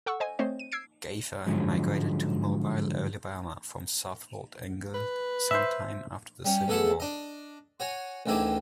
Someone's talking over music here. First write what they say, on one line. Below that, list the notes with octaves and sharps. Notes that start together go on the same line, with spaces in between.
Gayfer migrated to Mobile, Alabama from Southwold, England sometime after the Civil War.
A4 F#5 C#6 E6
C5 D#5 G#5
A3 C4 C5 C#5 D#5
D#7
E6 G#6 C7 D7
G#2 D3 F3 F#3 G#3 C#4
B4
C5 E5
G3 C#4
E2 A3 G#4 A4 F#5 A5
D4 D#5
F#4 C#5 G#5
A1 D2 D#3 E4 G#4 D6